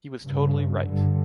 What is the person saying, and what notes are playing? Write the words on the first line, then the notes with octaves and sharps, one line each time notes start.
He was totally right.
G2 C#3
G2 D3